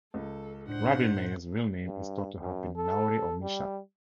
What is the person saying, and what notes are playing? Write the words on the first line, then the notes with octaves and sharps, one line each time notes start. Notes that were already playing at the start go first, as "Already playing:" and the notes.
Rabbi Meir's real name is thought to have been Nahori or Misha.
C#2 A4
A2 D4 C5 F#5
G2
F#2
A4
G3